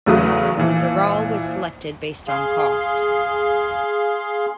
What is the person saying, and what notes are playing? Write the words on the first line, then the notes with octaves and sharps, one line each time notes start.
The "Rall" was selected based on cost.
E2 C#3 F#3 A3 B4 D#6
A#2 E3 F3
G#4 F5 C6